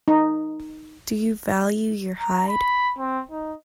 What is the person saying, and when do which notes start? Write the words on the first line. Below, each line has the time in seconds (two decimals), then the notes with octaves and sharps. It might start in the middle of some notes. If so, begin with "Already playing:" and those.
Do you value your hide.
0.08 D#4
2.20 A#5
2.49 B5
2.99 C4
3.31 D#4